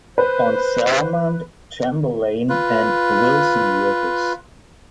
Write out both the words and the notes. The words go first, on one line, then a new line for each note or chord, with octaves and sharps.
On Salmond, Chamberlain, and Wilson rivers.
B4 C5
F4 B4